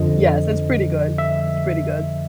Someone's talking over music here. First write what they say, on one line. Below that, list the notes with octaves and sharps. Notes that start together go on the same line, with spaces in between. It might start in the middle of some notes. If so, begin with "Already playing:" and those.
Yes, so, it's pretty good. It's pretty good.
Already playing: F2 D3 F3 D#5
E5